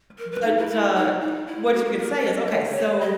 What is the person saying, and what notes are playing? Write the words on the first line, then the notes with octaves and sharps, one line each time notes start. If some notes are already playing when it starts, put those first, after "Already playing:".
but, uh, what you could say is, "Okay, so"
A#4
B4
D#4
E4
E4
D#4
D#4
E4
F#4
F#4
A#4
D#5
C#5
C#5
D#5